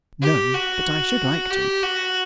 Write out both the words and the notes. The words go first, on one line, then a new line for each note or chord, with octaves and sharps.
"No, but I should like to."
G4
F#4
G4
F#4